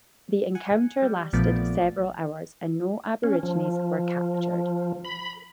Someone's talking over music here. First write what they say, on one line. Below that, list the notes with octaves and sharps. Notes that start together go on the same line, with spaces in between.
The encounter lasted several hours, and no Aborigines were captured.
F#5 G#5
G3
A#1 A#2 F3 A3 B3 D5
C#4
F3
B5